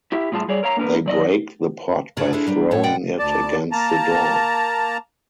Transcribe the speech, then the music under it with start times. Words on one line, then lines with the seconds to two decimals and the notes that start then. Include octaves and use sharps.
They break the pot by throwing it against the door.
0.12 E4 G4 E5
0.32 A2 G3 F4 G#4 G#5 A5
0.48 G3 G#4 C#5 D5
0.63 A#4 C#5 F5 A#5
0.77 A#3 D4 A#4 B4
1.06 F#2 D5 D#5
2.17 F#2 C#3 D4 G#4 D5 A5
2.33 D4 E4 F4 G#4 A4
2.47 C3 G3 D4
2.71 A2 A4 C#5
2.83 B2 G#3 D5 F#5 G5
3.19 D2 D5 A5
3.72 A#3 A5 A#5